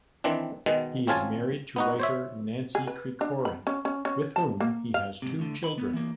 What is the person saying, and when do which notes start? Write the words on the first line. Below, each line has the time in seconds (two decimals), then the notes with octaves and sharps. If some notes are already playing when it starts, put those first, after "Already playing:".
He is married to writer Nancy Kricorian, with whom he has two children.
0.24 D#3 E3 C4 D4
0.66 B2 D#3 G#3
1.07 G#1 C4 C#4 F4 G#5 A5
1.76 B3 D#4 F#4
2.00 C5 C#5 E5
2.75 G#4
2.87 B4
3.21 D4
3.45 B5
3.67 C#4
3.85 C#4
4.05 C#4
4.36 A5
4.60 A#3
4.94 F5
5.22 G#2 C3
5.39 D2 D3
5.64 B5
5.78 B3
5.93 E3 A#3